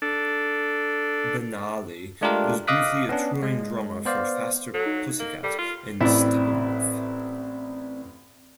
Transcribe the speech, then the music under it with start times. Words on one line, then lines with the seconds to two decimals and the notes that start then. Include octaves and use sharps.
Banali was briefly a touring drummer for Faster Pussycat and Steppenwolf.
0.02 D4 A4
2.21 G#3 A3 D4 F4 G4 A#4
2.67 D#5 F5 D6 D#6 F#6 B6
3.09 B3 C#4 D4
3.43 G#3
4.06 B3 C5 D5 F5
4.74 F#3 A4
4.86 D#4
5.20 A#3
5.44 G3 A4
5.59 F4 F6
6.01 A1 C4 E4 D5 E5